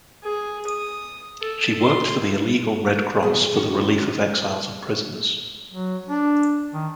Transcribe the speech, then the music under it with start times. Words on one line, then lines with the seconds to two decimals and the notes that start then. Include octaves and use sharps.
She worked for the Illegal Red Cross for the Relief of Exiles and Prisoners.
0.24 G#4
0.67 D#6
1.41 A4
1.80 C6
3.22 E2 B2 G3 G#4
3.54 D#3 F3 C#4 D#4 F#4
5.71 F#3
6.09 D4
6.73 D#3